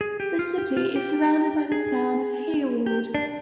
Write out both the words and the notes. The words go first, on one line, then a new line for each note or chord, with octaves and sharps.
The city is surrounded by the Town of Hayward.
G#4
G4
F4
G4
F4
G4
G#4
G4
D4